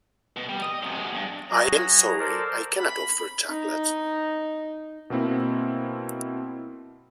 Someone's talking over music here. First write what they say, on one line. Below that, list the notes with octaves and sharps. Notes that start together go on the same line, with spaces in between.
I am sorry I cannot offer chocolate.
B2
G3
D#5
F#2 C3
B2 G#3
G2
F#3 G#4 A#5
A4 A#4 C5 D5
B5
D#4
B2 A#3 C4 E4